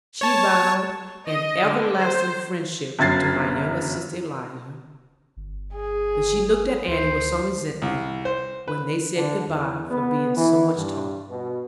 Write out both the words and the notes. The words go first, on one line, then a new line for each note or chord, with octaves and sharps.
She vowed an everlasting friendship to my younger sister Eliza; but she looked at Annie with some resentment, when they said good-bye, for being so much taller.
C#5 A5
D#5
D3
C5
G1 F#2 G#6 A6 C7
G1
G#4
D2 C5
C2
C5
B4
D3
E2
B3
E3
G2
B2